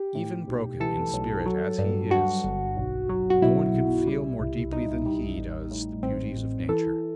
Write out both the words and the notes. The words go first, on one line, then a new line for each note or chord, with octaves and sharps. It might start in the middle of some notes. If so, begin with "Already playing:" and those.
Even broken in spirit as he is, no one can feel more deeply than he does the beauties of nature.
Already playing: G4
A2
B1
E3 A4
B1
F#3
G2
G2 F#4
G1
B1
F#3
F#4
B2 E4
B1
G3
C2
C2 D#4
G3
A1
A2
A1 C4
A1
E3 A4